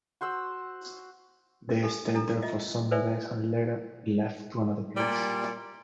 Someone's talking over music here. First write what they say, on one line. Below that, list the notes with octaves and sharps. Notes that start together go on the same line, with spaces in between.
They stayed there for some more days and later left to another place.
F#4 C5 F#5 E6
G4 A4 G#5 B5
D4 E4 A4 A#5
F4 D#5 E5
A4 B4 C5 D5 E5 G#5
A#2 G3